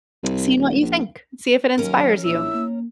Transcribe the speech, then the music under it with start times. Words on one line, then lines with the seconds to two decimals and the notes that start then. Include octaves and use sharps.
seeing what you think. See if it inspires you.
0.23 C2
0.56 D#1
0.82 A#1
1.78 D#2 F#3 C#4 A#4
2.24 A#1 E4 E6
2.54 A#3